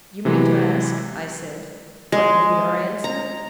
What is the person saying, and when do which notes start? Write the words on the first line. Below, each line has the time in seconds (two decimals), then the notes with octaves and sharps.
You mean to ask, I said, what will be our answer?
0.25 C3 E3 F#3 G#3
2.12 G#3
3.04 A#5